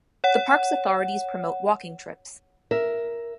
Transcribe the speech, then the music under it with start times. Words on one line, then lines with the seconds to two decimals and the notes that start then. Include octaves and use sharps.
The park's authorities promote walking trips.
0.24 C#5 F#5
2.71 A#4 E5